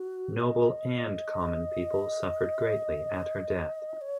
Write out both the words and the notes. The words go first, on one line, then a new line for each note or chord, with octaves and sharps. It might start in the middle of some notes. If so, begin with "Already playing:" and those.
Noble and common people suffered greatly at her death.
Already playing: F#4
D#5
C#5